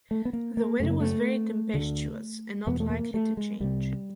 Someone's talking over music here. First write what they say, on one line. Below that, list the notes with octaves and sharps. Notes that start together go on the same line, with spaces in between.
The weather was very tempestuous, and not likely to change.
A3
B3
A#3
A#3
F#2 C#3 A3
A#3
A3
D2 D3
E2 B2 B3
A3
A#3
A3
G#3
C2 C3 G3